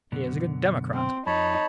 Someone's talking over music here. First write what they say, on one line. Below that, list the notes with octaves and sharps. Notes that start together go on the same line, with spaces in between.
He is a good Democrat.
F#2 B2 D3
C4
F2 D#4 C#5 A5 B5